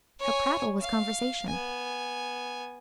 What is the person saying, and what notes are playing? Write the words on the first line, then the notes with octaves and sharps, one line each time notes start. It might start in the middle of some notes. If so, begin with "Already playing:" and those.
Her prattle was conversation.
C#5 G#5
F5
B3 G#5